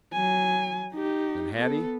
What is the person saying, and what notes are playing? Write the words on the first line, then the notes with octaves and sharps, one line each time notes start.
And Hattie?
F#3 G#5
D#4 G4
B3 A4